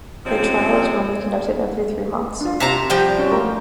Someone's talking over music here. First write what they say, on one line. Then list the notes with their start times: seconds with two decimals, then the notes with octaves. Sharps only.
A trial was normally conducted every three months.
0.24 C3 F3 G#3 C4 C#4
2.41 D4 F4
2.60 C3 C4 F4 A5 A#5
2.90 F3 G3 G5
3.19 C#4 F#4
3.31 A3 A#3 A#4